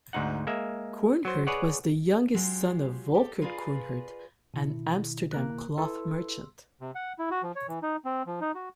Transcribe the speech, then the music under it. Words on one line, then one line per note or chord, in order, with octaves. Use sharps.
Coornhert was the youngest son of Volckert Coornhert, an Amsterdam cloth merchant.
D2 G#2 D#4 F#5
G#3 A#3 E5
F#3 C5
G#4 B4 C#5 D5 F#5
F#3 G#3 F4 G4
G4 A4
F4 G#4 A#4 B4 D5 F5
B2 D#3 E4
A#3 A#4 F#6
E4 A4 B4 C6 E6
C3
F#5
E4
F#4
F3
C#5
E3
D#4
C4
F3
D#4
F#4